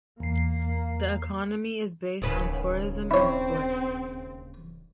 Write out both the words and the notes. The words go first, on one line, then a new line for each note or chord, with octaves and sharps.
The economy is based on tourism and sports.
E2 A#3 C7
D1 D#2 C#3 B4
C4 E4 C#5